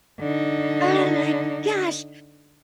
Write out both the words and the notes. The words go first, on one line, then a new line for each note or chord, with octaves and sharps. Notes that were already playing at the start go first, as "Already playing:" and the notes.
Oh my gosh.
D3 D#4